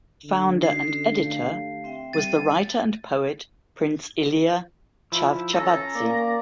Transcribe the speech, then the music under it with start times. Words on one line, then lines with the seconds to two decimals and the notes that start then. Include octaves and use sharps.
Founder and editor was the writer and poet Prince Ilia Chavchavadze.
0.24 D3
0.63 C#4 D#4 F#4 C7
1.22 A3 G4 F5
1.84 C4 E5 G5
2.13 G3 A6 D#7
5.12 F3 E4
5.54 C#4 A4 A#5
5.95 A#3 D5